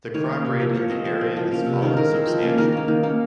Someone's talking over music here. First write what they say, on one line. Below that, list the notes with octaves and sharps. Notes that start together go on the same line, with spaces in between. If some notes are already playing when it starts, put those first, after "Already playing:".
The crime rate in the area has fallen substantially.
D#3 C#5
A#3 C#4
C3
F3 A#3
F3 C#5
G#3 C4 D#5
F3 C5
C4
F3
A#3 C#4
C3
D#3 G#3 C#4
D#3 A#4
G#3 C4
F3
A#3 C#4
D#3 A#4
A#3 C#4
D#3
A#3 C#4